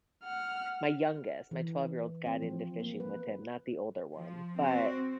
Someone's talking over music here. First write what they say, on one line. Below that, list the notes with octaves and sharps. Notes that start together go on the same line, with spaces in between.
my youngest, my twelve-year-old got into fishing with him, not the older one, but
F#5 F6
E3
C4
F3
A#3
B4
F3
C4 F#4